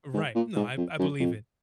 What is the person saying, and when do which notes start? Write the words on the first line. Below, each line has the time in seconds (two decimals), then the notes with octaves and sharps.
Right, no, I b I believe it,
0.14 G#2
0.35 A#2
0.56 G#2
0.77 F2
0.99 F#2
1.20 F2